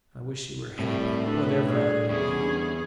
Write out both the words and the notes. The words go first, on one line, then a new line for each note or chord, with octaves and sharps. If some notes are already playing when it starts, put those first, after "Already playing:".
"I wish you were happy, whatever I may be!"
C2 A2 G3
D2 A4 B4
D3 G3 C4 G#4
E2 C#4 G#4
D1